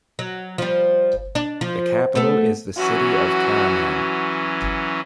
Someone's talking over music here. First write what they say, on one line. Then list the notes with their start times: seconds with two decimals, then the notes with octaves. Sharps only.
The capital is the city of Karaman.
0.19 F#3
0.58 F3 G3
1.35 D4
1.61 F3
2.15 A3 B3 A4
2.77 E3 F#3 C#4 F#4